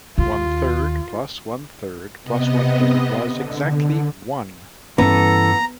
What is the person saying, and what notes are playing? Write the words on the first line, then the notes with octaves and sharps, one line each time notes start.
One third plus one third plus one third was exactly one.
D#2 F4
C3 B3 D#5
D3
G2 E3 B3 C#4 A4 A#5